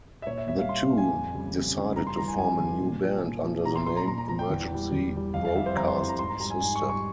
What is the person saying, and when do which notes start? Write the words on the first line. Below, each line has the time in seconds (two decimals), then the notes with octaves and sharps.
The two decided to form a new band under the name Emergency Broadcast System.
0.22 E5
0.27 A#2 C#5
0.38 E5
0.48 G3 E5
0.59 F5
0.69 A#2 C6
0.90 G3
0.98 G#5
1.11 F2
1.33 C#3 G3
1.54 F2
1.74 C#3 G3
1.96 G2 A#5
2.07 C6
2.17 E3 G3 A#5
2.28 G#5
2.38 G2 G#5
2.60 E3 G3
2.80 A#2
3.02 F3
3.23 A#2
3.44 F3
3.65 A#2 A#5
3.75 C6
3.86 F3 C6
3.97 A#5
4.07 A#2 A#5
4.18 A#5
4.29 F3 A#5
4.39 G5
4.50 E2
4.71 E3 G3
4.92 E2
5.13 E3 G3
5.34 F2 F5
5.45 F5
5.55 E3 G3 E5
5.66 C5
5.76 F2 A#5
5.88 C6
5.98 E3 G3 C6
6.08 A#5
6.19 G#2 C6
6.29 A#5
6.40 G3 A#5
6.50 G#5
6.61 G#2 G#5
6.76 C#6
6.82 G3
6.89 C#6